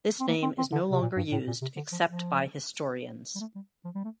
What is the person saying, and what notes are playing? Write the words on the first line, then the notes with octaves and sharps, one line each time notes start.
This name is no longer used except by historians.
C4
A#3
C4
C4
D3
C3
A#2
G2
A2
A#2
C3
D3
F3
F3
G3
A3
G3
F3
G3
A3